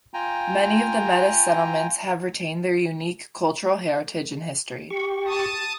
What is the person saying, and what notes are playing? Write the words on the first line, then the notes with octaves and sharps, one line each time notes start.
Many of the Metis Settlements have retained their unique cultural heritage and history.
F4 G5 G#5 A#5
G4 C#6
A5 D#6